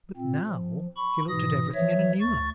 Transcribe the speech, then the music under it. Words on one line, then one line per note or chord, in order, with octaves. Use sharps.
But now he looked at everything in a new light.
A#2 C4
F3
B5 C#6
G#2 B2 E3 D#6 A#6
E3 F3 C#5 E5
D2 C#6 A6